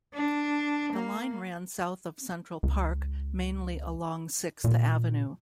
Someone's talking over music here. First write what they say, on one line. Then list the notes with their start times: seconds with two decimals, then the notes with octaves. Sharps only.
The line ran south of Central Park, mainly along Sixth Avenue.
0.14 D4
0.93 A#3
2.63 C#2
4.64 A#2